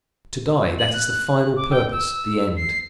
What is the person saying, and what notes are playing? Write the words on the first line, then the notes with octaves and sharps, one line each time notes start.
To die, that is the final purpose, the end.
F#7
F#6
D6
G5
E6
C7